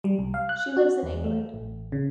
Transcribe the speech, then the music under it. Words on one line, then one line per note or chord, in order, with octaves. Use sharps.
She lives in England.
G3
C2
F5
F#6
F#4
E2
A3
A1
C#3